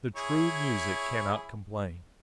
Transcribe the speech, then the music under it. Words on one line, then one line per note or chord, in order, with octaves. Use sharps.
The true music cannot complain.
E4 G#4 C#5